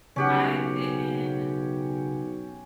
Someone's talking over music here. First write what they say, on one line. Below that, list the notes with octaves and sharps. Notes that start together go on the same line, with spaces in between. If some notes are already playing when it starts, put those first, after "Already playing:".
I didn't
B1 C#3 C#4 G4 F#5